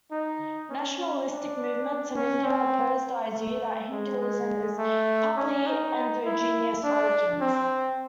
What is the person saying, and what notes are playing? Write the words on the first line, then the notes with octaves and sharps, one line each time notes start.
Nationalistic movements in India oppose the idea that Hinduism has partly endogenous origins.
D#4
C#4
C#4
D4
C#4
C4
A3
G#3
G#3
A3
C#4
D#4
E4
D4
C4